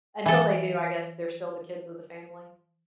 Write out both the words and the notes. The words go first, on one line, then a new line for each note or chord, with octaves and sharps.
until they do, I guess they're still the kids of the family.
E3 A4